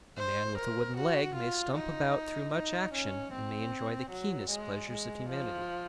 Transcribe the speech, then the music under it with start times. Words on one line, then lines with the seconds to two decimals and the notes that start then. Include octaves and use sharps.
A man with a wooden leg may stump about through much action, and may enjoy the keenest pleasures of humanity.
0.18 C5
0.58 A#4
0.97 F#4
1.35 F4
1.75 D#4
2.54 D#4
2.93 C#4
3.33 C4
4.10 F#3
4.50 G#3
4.89 G#3
5.30 F3